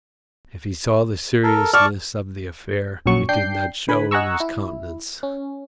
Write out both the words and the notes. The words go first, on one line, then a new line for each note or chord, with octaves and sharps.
If he saw the seriousness of the affair, it did not show in his countenance.
A4 A#4
D5 A5 C#6 F6
A#1 F#2 A#2 F#3 C#6
D4 G5 G6 C7
D3 B4 G#5 B5
D#5 F#5 G#5 A#5 C#6 E6
E4
C#4